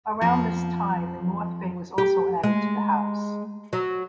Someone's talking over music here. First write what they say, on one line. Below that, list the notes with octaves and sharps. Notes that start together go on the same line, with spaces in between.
Around this time the North Bay was also added to the house.
F2 F3
G4
G#3
F#3